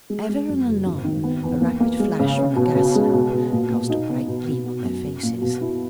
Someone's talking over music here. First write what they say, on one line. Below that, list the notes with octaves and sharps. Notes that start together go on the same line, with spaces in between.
Ever and anon a rapid flash from a gas lamp, cast a bright gleam on their faces.
G#3
G#3
F#2
F#1
G#1
D#3
B3
E2
A#3
A#3
G#3
C#3
C#4
B2
C#3
G#3
B2
B2
A#2
A#2
D#4
B3
B2
B2
F#4
F#2
F#3
A#2
B2
E4